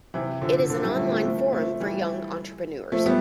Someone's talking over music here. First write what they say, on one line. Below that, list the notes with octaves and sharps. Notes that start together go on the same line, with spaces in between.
It is an online forum for young entrepreneurs.
C3 E3
D3 F3
D3 F3
E3 G3
F3 A3
F3 A3
F3 A3
F3 A3
E3 G3
F3 A3
G3 B3